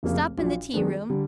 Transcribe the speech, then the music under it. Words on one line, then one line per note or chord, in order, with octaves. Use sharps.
'Stop in the tea-room.
F1 F2 C#3 F3 A#3
A#1 A#2 F#3
F#2 D#3 G#3 B3 D4
D3 G3